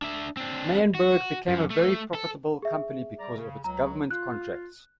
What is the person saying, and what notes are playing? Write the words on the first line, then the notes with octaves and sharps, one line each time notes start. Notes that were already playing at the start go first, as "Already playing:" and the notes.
Meyenberg became a very profitable company because of its government contracts.
D4 E5
C4 D4
F#4
F#2
A3
A4
G#4 E5
G3 D5 A#5
C#3
C#2 F#3 A#5
F4 F#6